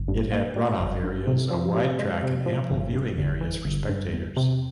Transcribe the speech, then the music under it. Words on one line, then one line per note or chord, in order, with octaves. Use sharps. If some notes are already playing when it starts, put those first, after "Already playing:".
It had run-off areas, a wide track and ample viewing areas for spectators.
Already playing: G1
G2
A#3
G3
G1
G2
C3
F3
C3
G#3
C3
F3
G1
G2
G1
E3
G1
G2
E2
C3